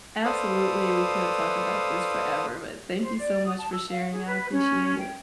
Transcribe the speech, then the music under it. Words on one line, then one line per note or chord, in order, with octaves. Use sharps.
Absolutely, we could talk about this forever. But, thank you so much for sharing. I appreciate it.
A4 B4 C5 D5 F5 D#6
C5
D5
D#6
A5
E6
F5
G#4
B4
C#4
G5